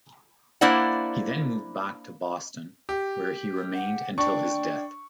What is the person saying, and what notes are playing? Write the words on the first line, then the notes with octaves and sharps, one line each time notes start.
He then moved back to Boston, where he remained until his death.
A#3 D4 E4 C5 D5 F#5
G4
F#5
D4 G5 C#6